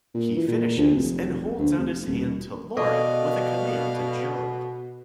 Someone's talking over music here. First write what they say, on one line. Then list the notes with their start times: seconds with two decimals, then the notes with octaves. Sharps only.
He finishes and holds out his hand to Laura with a command to jump.
0.15 A#2
0.36 E3
0.48 A#2
0.78 D2
0.95 F1
1.59 D2
1.78 F1
2.06 D#1
2.77 B2 A4 D5 D#5 F5 C#6 D6